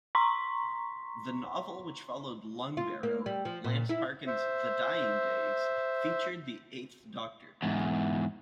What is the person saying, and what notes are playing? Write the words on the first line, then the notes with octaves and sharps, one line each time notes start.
The novel which followed "Lungbarrow", Lance Parkin's "The Dying Days", featured the Eighth Doctor.
A#5 C6 C#6 B6
F4
A#3
G3
F3
A#2
E4
C5 E5
E2 G#2